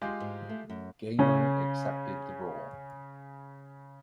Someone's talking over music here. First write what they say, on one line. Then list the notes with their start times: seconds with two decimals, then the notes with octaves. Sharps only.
Gaynor accepted the role.
0.02 G#3 F4 G4
0.20 G#2
0.49 A3
0.70 F#2
1.19 C#3 C#4